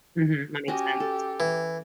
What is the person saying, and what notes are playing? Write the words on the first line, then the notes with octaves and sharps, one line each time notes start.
Mhm, that makes sense.
C#4 F#4 G4 D#5
A4
E3